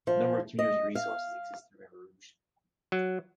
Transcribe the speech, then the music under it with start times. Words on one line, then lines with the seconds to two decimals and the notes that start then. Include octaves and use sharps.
A number of community resources exist in River Rouge.
0.07 F3
0.59 D#5
0.95 F5
2.92 F#3